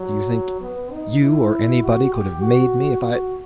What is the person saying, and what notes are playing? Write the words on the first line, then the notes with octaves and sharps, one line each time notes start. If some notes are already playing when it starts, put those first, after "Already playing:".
Do you think you or anybody could have made me if I . . .
Already playing: F#3
B3
D#4
E4
F#4
G4
F#4
F#4